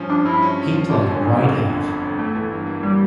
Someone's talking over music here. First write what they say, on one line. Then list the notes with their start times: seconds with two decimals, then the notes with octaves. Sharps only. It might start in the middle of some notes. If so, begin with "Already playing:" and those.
He played right half.
Already playing: G2 F3 C#4
0.09 D4 F4
0.25 G2 E4
0.42 C#4
0.58 F3
0.74 F4
0.90 G1 D4
1.06 D3
1.12 C#4
1.22 F2
1.33 A#3
1.38 G1
1.54 G1
1.70 D3
1.86 F2
2.03 G1
2.18 G1 A3
2.35 E3
2.51 G2
2.67 A#3
2.83 G3